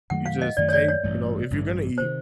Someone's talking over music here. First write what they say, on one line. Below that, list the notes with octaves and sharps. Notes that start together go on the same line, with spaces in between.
You just take you know, if you're gonna eat,
F#2 D#3 F#3 A3 F#5
F5
D#5
F#2 D#3 F#3 A3 D5
C#5
D5
C#5
A1 G2 E3 A3
A1 G2 E3 A3
C3 D#3 C5